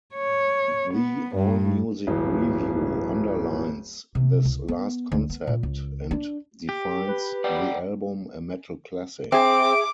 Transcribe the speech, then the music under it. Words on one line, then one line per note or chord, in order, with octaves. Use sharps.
The Allmusic review underlines this last concept and defines the album a "metal classic".
C#5
B3
G2
D1 G1 E3
C3
C#2
B3
D2
B3
A#2
C#2
D4
G4
B4
D5 F#5 G5
C4 G#4 E5 D6